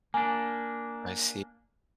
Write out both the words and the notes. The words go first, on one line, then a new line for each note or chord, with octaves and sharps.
I see
A#3 D4 G#5